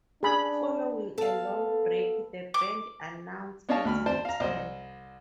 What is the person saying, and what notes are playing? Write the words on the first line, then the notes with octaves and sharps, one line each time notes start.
Following a long break, the band announced its return.
D4 G#4 B5
B3 A4 F5
D6
B3 D4 C#5 D#5 F5 A5
D2 B5 F6
C4 C5 D5 A5
F5 A#5
C2 C5 D#5